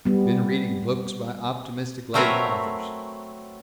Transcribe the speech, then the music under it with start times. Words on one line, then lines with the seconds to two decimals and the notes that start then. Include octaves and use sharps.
Been reading books by optimistic lady authors.
0.05 G3 B3
2.14 F#3 A3 C4 A#4 B4 C#5